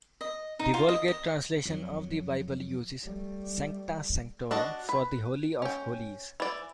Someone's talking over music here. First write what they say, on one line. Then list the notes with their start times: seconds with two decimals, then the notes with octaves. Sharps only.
The Vulgate translation of the Bible uses "Sancta sanctorum" for the Holy of Holies.
0.21 D#5
0.59 D#4
0.74 F4
0.89 D#5
1.08 D#5
1.65 F2 F#3
3.03 G3 A3
4.51 D4 F#4 D#5 A5
4.89 B4
5.62 C#4 G5
6.40 E3 D5